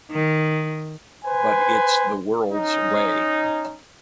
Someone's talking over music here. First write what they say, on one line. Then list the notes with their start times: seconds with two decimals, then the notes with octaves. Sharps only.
But it’s the world’s way.
0.12 D#3
1.25 B4 C5 G#5
2.52 C#4 D#4